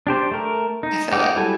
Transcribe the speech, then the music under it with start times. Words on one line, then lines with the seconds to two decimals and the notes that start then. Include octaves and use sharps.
I feel that.
0.07 D4 G4 C5
0.31 A3 A#4
0.83 D#4
1.12 D#5 F#5 G5 D6
1.36 F#3 G3 E4 A4 G#5